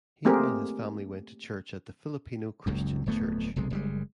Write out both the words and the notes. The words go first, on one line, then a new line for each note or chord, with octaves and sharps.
He and his family went to church at the Filipino Christian Church.
A3 A#3 C4 G4 G#4 A#4
F#1 C#2 F#2
D1 F2 A3 B3
F1 B1 C3 G#3
F#1 G3 G#3